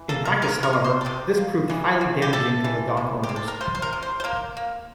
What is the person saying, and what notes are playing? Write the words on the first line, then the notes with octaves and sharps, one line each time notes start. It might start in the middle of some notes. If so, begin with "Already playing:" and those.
In practice, however, this proved highly damaging to the dock owners.
Already playing: E3
A#3 A4
A#4
C3 A#4
A#4
C3
C5
A4
C3 G4
A#3
E3
C4
G4
A3 A4
E3
C3
G4
C4
A4
A#4
C3 C5
C5
A#4
C3
C5
C5
A#3 A#4
A#3